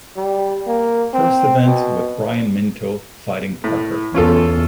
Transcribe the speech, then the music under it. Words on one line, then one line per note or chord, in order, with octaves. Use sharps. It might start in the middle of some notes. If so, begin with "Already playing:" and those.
First event with Brian Minto fighting Parker.
G3
A#3
C4
B2
A2
E2 C#4 F4 A4